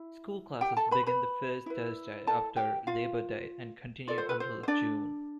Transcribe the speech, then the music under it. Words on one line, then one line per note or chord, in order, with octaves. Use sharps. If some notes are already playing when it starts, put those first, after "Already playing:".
School classes begin the first Thursday after Labor Day, and continue until June.
Already playing: E4
G4 G5
A4 A5
B4 B5
B4 B5
E4 B4
A4 A5
G4 G5
F4 F5
F4 A4 D5
C5
B4
C5
C5
D4 D5